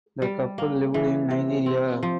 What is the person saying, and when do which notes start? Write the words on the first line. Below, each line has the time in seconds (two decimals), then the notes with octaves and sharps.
The couple lived in Nigeria.
0.22 G3
0.58 A#3
0.94 E3
1.31 C3
1.66 C4
2.03 F3